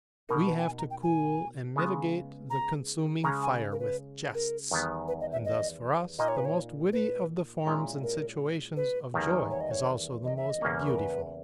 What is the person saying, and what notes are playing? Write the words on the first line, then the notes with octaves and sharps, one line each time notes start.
We have to cool and mitigate the consuming fire with jests, and thus for us the most witty of the forms and situations of joy is also the most beautiful.
B2 A#3 D#4 A#4
B4
G5
G#5
A#5
G5
G#5
C#3 G#3 B3
A#5
C#3 G#3 C#4 A#5
G#5
A#4
B4
A#4
E2 D#3 G3 B3
B4
D#5
E5
D#5
A#2 A#3 D#4 D#5
C#5
B4
C#5
B4
A#2 G#3 C#4 E4
A#4
B4
E2 D#3 G3 A#3
C#5
D#5
C#5
D#5
E5
D#5
E2 C#3 G3 A#3 C#4
A#4
B4